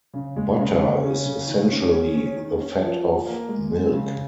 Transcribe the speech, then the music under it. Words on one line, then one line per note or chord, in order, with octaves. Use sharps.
Butter is essentially the fat of milk.
C#3
G#3
C#3
C#3
C#4
C#3
D#3
C#4
G#4
C#4
D#3
C#4
F3
F3
A#3
G#3
G#3
C#3